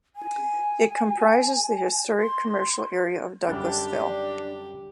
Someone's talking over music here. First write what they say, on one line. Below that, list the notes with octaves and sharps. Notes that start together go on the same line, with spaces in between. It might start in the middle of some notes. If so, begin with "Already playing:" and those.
It comprises the historic commercial area of Douglasville.
G#5
C6
F#2 D3 G3 D4 G4